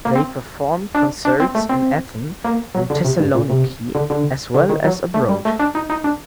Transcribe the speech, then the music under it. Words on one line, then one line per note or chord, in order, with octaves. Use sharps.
They performed concerts in Athens and Thessaloniki as well as abroad.
A#3
C4
D4
D4
C4
A3
C4
A#3
F#3
D3
C3
G2
A#2
C3
D3
D3
D3
D#3
F#3
A3
G3
A3
D4
D#4
D#4
D4